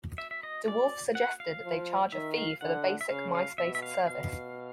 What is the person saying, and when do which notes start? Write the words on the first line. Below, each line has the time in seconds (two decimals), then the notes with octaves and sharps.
DeWolfe suggested they charge a fee for the basic Myspace service.
0.18 E5
0.31 E5
0.43 D#5
0.68 D5
1.15 F#5
1.40 F5
1.64 F3
2.12 D#3 E5
2.38 F5
2.61 D3 F#5
3.01 E5
3.09 C#3 F5
3.35 F5
3.58 B2 E5
3.75 E5
3.82 F5
4.07 B2 F5